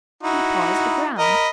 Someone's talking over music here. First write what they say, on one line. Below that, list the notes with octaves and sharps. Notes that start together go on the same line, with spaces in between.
He paws the ground.
D#4 E4 F#4
A#4 D#5 B5